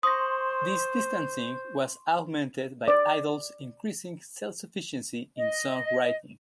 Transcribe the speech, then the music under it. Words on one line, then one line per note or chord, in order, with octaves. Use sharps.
This distancing was augmented by Idol's increasing self-sufficiency in song-writing.
C5 C6 C#6 D#6 A#6
D5
D#5